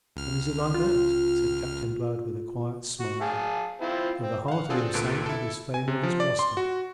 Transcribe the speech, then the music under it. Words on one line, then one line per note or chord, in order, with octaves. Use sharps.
"And is it like that?" said Captain Blood with a quiet smile, though the heart of him sank at this failure of his bluster.
C#2 F6
F4
F#4
G#4 F5 A5
C4 E4 F4
C4
F5 F#5
C4 D4 F4 G#4 A4
C#2 A#2 D3 A4 B4 D7
E4 A4
G#5
C3
F3
D5
C6
F#4